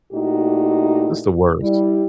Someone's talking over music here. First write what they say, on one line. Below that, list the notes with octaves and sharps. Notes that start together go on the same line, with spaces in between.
It's the worst.
A#2 A3 D#4 E4 F#4 G4
G3 E4